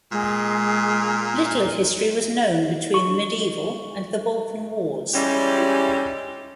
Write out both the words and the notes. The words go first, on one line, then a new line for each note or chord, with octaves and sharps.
Little of history was known between the Medieval and the Balkan Wars.
A#2 G#3
C#6
E3 G3 G#3 C#4 G4